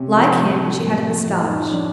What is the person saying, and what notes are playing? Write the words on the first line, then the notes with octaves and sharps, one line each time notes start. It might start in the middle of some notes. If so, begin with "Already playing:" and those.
Like him, she had a mustache.
Already playing: C3 C#4
F3
A2
F3
A2
F3
A2
D#4
F3
C#4
D4